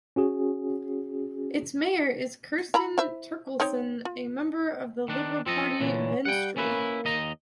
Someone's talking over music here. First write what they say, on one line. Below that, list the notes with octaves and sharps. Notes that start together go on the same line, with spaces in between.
Its mayor is Kirsten Terkilsen, a member of the liberal party "Venstre".
C#4 F#4 G#4
E4 A#5 B5
E4 C5 E5
C4 D#4 C#5
F4
D#3 D4
F3 C4 A4 D#5
A#2 D3 E3 C#5
G3 F#5 G5
A#3 C#4 E4 B4
D#2 D#5 A#5